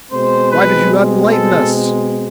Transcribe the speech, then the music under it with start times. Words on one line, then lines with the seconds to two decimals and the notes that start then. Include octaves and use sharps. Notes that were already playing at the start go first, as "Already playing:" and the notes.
Why did you not enlighten us?
0.11 B2 G#3 C4 C5
0.52 B4
1.33 A4